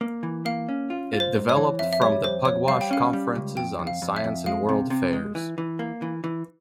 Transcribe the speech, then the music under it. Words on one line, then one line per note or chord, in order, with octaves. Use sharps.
It developed from the Pugwash Conferences on Science and World Affairs.
A#3
E3
A#3 F5
C#4
F4
F4
C5
G#2
C#5
E3
F2 E5
E5
G3 C#5
F2 C5
F2 C#5
G3 F5
G5
C#4 F5
G3
C#2
F2 G5
F2
F5
F2
E5
F2
G#3 F5
C3
C3
G#3
E3
E3
A#3
E3
E3